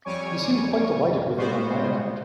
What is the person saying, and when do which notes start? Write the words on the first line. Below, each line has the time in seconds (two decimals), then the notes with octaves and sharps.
He seemed quite delighted with it on my account.
0.04 F2 G3 C#5 G#5 C#6 D6
1.36 G3 G#3 B3 F4 F#4 C5